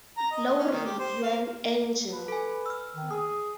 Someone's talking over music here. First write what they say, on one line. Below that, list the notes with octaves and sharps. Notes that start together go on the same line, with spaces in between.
Laurie, you're an angel!
A#5
D#5
C#4
D#3
G4
C5
F5
B4
A4 G#5
E6 F6
D#3
G#4 D#6